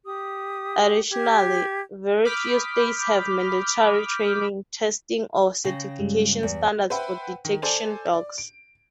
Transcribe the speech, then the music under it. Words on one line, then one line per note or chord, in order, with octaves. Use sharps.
Additionally, very few states have mandatory training, testing, or certification standards for detection dogs.
G4 D#6
G4 G#6
B5 D6 D#6 F6 G6 B6
C#3 G5 A#6
G2 G3 G#3
E2
B4 C5 E5 F#5 G5 B5
D#3
A4 C5 D5 G#5
D5
D7